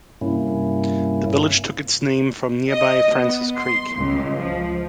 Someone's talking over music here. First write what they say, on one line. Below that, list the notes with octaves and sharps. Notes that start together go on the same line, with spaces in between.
The village took its name from nearby Francis Creek.
G2 C3 A#3 C#4 E4
D#5
B3
C6
C#2
F3